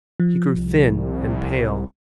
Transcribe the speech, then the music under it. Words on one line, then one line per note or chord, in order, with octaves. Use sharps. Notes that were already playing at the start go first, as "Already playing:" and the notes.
He grew thin and pale.
F3
C2